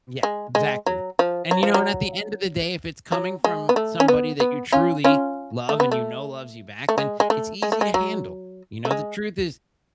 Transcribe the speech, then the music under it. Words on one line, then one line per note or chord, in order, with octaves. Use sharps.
Yeah, exactly, and, you know, and at the end of the day, if it's coming from somebody that you truly love and you know loves you back, then it's easy to handle. You know, the truth is,
G#3
G#3
F#3
F3
F#3
F3
F#3
F#3
G#3
B3
A3
C#4
B3
B3
C#4 F4
C#4 F4
A3
B3
A3
A3
G#3
G#3
A3
G#3
A3
G#3
F#3
A3
G#3